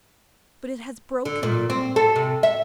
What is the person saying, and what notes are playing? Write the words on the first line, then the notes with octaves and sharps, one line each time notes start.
But it has broken him.
D3
A#2
C4
A4
C3
E5